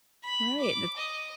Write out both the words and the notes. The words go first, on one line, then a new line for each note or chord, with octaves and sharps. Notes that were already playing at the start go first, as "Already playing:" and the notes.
Right. That's
B5
D6
D#5